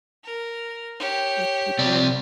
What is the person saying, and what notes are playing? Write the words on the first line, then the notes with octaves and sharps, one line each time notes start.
with people
A#4
G4 C#5
C3 C4 D5